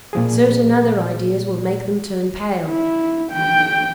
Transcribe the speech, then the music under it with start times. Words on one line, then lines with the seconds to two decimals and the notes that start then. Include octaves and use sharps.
Certain other ideas will make them turn pale.
0.13 A#2 F3 G#4
2.67 E4
3.32 G5